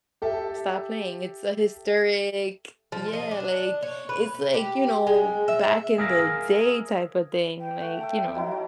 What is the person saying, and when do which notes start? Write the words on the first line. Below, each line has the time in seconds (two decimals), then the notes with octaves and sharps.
stop playing. It's a historic, yeah. Like, it's like, you know, back in the day type of thing, like, you know,
0.22 G4 A4 E5
2.92 F3
3.13 D#5
3.31 D4
3.83 C#5
4.09 B4
4.34 B4
4.54 G4
5.07 G#3
5.48 E5
5.98 G#4 A#4 E5 F5 A5 A#5
7.60 G5
7.81 A3 F#5
8.01 E5 A5
8.35 F#3 D#4 E4
8.51 F#3